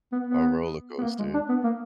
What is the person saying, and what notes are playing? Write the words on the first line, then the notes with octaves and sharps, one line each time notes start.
a roller coaster.
B3
B3
B3
A#3
G#3
D4
B3
A#3